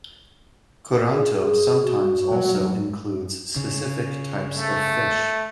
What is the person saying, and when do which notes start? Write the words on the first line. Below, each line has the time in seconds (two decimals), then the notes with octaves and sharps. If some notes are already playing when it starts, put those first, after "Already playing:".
Curanto sometimes also includes specific types of fish.
1.11 G#4
1.42 G#4
1.82 F#4
2.31 F#3
3.56 C#3
4.59 A3